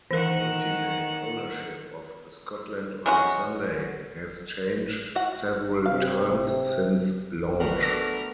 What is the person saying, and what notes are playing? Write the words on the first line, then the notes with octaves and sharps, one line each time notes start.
Ultimate ownership of "Scotland on Sunday" has changed several times since launch.
D#3 E3 A#4 F#5
G#3 C#4 F#4
F#4 F#5
C3 F5
A3 B3 D4 F#4 A#4 B4